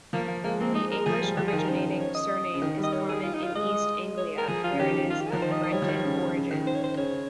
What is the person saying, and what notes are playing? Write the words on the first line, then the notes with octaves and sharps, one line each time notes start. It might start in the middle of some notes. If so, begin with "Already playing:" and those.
The English-originating surname is common in East Anglia, where it is of Breton origin.
F3 A#3
A#3
G#3 A#3
A#3 C4
G#3 D#4
A#4
F3 G#4
G3
F3 G4
G#4
D#3
A#4
C#3 C5
C#5
D#5
C#3
D#3
G3
D#5
C#5
G#4
F4
D#4
F4
G#3 D#5
C#5
A#4
F3 G#4
F4
C#3
D#3 G4
F4
G4
G#4
F3 A#4
D#3 C5
D#5
D#5
G3 C#5
F3
D#3
C#3
C#3
D#3
C5
C#5
C5
C#3 C#5